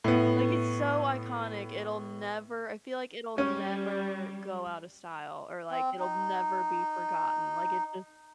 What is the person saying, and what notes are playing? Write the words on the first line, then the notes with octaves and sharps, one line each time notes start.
Like, it's so iconic, it'll never I feel like it'll never go out of style or like, it'll never be forgotten, like, it just
A2 B3
G3 C#4
C4
D#4